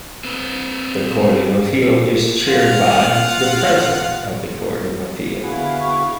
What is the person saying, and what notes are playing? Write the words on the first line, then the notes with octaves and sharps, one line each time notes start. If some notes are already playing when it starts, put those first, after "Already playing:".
The Court of Appeal is chaired by the President of the Court of Appeal.
C4 B4
F4 F5 F#5
D3 B3 E4 F#4 G#4 F5
C#6